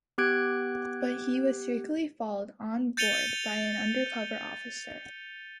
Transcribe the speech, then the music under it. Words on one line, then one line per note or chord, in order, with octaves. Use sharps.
But he was secretly followed on board by an undercover officer.
B3 G4 F#6 G#6 D7
G6 A6 C#7 D#7 F7 G7